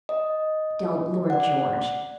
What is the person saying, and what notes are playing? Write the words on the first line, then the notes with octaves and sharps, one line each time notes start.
"Don't, Lord George."
D#5
D5 F#5